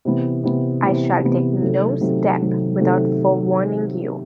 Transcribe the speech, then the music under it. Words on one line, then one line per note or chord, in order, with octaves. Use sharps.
I shall take no step without forewarning you.
C3 E3 B3
C3 E3 B3
C3 E3 B3
C3 E3 B3
C3 D#3 F#3 A3
C3 D#3 F#3 A3
C3 D#3 F#3 A3
C3 D#3 F#3 A3